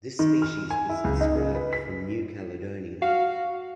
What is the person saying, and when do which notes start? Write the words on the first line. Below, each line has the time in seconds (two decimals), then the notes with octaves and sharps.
This species was described from New Caledonia.
0.19 D#3
0.42 F6
0.70 G#5
0.89 E4
1.04 C#2
1.21 D#4
1.34 C#3
1.55 B4
1.73 B6
3.02 F#4 F5